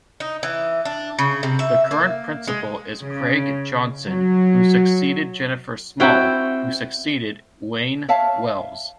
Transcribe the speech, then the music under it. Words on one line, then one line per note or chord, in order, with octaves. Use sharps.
The current principal is Craig Johnson, who succeeded Jennifer Small, who succeeded Euan Wells.
D#4
E3
D4
C#3
C3
E5
A#3
G#3
C#3
F#3
C4 E4 F#4 G5
C#5 E5 F5 A5